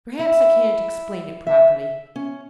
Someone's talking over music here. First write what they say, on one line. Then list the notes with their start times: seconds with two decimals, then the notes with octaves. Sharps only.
Perhaps I can't explain it properly.
0.19 E4
1.47 E5
2.16 C#4